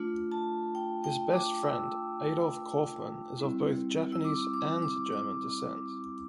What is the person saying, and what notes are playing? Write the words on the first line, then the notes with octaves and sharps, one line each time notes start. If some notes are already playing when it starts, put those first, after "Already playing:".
His best friend Adolf Kaufmann is of both Japanese and German descent.
Already playing: A3 D4 F4
A5
G5
G5
D6
E6
G3 C4 E4
E6
D6
D6
D6
D6